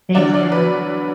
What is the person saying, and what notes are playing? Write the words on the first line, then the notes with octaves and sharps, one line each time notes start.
They do.
E2 D3 F#3 D5
D5
B4